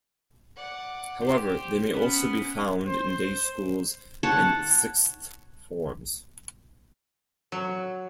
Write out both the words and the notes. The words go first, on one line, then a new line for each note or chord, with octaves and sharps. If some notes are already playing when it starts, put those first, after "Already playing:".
However, they may also be found in day schools and sixth forms.
D5 F#5
G4 C5
B3 C#4
C5
C#5 F#5 A5
F#3